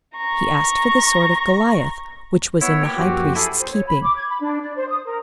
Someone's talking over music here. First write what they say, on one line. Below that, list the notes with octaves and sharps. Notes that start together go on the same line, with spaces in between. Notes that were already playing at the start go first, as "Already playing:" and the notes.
He asked for the sword of Goliath, which was in the High Priest's keeping.
A#5 C#6
B3 E4 C#5 E6
A#3 G4
F#2 F3 A#3 F#4 G4
E4 G#4 A4
C5
C#5
B5
D6
G#6
B5
D4
D5
C5
D#6
A#4